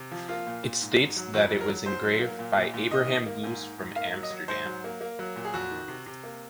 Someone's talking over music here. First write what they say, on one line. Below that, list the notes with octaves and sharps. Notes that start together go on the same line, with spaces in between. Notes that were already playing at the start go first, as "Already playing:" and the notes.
It states that it was engraved by Abraham Goos from Amsterdam.
Already playing: C3
F3
A#3 F4
A#2
A#2
G#2
G#2
F#3
F2 F#4
F#3
A#4
F#3
G#2 C5
F#3
A#3
A#2
A#2
A#2
D#3 D#5
D#3
A#3
G#2
G#2
G#2
A#3 F5
F#3
D#5
F#3
G#2 C5
F#3
A#3
A#3
F#3
A#2
G#4
F2 F#4
D#3
C3
C3
A#3